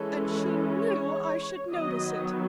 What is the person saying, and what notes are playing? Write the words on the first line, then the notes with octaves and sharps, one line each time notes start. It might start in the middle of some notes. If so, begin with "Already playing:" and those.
And she knew I should notice it.
Already playing: E3 G#3 C#4 A4
C#5
D#3 F#3 B3 D#5